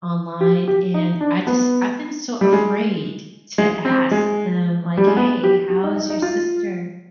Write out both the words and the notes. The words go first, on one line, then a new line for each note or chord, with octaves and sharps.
online, and I just I've been so afraid to ask them, like, "Hey, how's your sister,"
G4
G4
D#4
D4
B3
G3
G#3
G#3
C4
G#3
G3
G#3
B3
G4
G4
D#4
D#4
D#4
F4